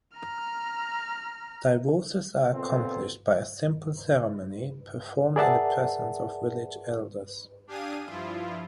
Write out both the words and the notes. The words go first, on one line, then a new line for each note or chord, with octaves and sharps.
Divorces are accomplished by a simple ceremony performed in the presence of village elders.
A#5 F6
A#2 B3 C4 F4 A4
G#4 A#4 D5 E5 F#5 A5
D4 G4 F5 G#5 D#6 D#7
G2 F3 E4 F4